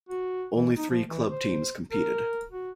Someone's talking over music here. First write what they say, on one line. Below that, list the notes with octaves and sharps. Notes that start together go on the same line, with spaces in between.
Only three club teams competed.
F#4
E3
D#4
F3
E3
C5
A#4
F#4